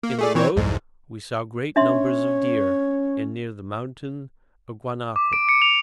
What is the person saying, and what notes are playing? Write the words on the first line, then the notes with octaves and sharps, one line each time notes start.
In the road we saw great numbers of deer, and near the mountain a guanaco.
A#3
A3 G#4 D5
E3 C4 C#5
C2 F2 G#2
C#4 D4 C#5 E5 C6
D6
D7
C#7
F7